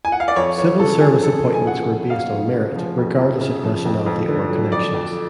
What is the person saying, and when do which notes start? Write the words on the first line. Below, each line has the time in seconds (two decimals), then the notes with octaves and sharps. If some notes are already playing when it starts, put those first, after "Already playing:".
Civil Service appointments were based on merit, regardless of nationality or connections.
0.05 G#5
0.12 F#5
0.20 F5
0.28 D5
0.36 F2 C#5
0.57 F2 C#5
0.80 C#3 A4
1.01 F3 G#4
1.23 F2 A4
1.45 F2
1.54 G#5
1.66 C#3 F#5
1.89 F3
2.10 F2 F5
2.33 F2
2.54 C#3
2.76 F3
2.97 F2
3.19 F2
3.41 C#3
3.63 F3
3.85 F2
4.06 F2
4.29 D3
4.50 F#3
4.72 F2 D5
4.93 F2